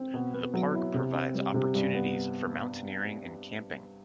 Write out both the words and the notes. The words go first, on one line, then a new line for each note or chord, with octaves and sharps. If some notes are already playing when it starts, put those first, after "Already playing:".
The park provides opportunities for mountaineering and camping.
Already playing: C4
B2
B3
F#3
E4
C3
C4
G3
C3
G2
B3